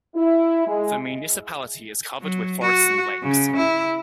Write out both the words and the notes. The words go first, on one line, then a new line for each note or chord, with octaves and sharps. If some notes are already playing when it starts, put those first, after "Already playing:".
The municipality is covered with forests and lakes.
E4
G#3
F#3
F#4
C#3
E4